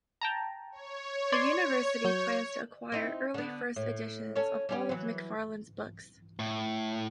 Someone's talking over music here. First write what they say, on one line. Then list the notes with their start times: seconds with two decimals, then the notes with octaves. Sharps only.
The university plans to acquire early first editions of all of McFarlane's books.
0.21 G5 A5 A#5
0.72 C#5
1.32 D5 C6 G#6
2.05 F#3 G6
2.92 C4 D#4 E4
3.34 D3 B3
3.76 A2
4.35 C#4 A4 C#5
4.69 G3 C#4 G4
4.89 E3 F#3
6.39 A2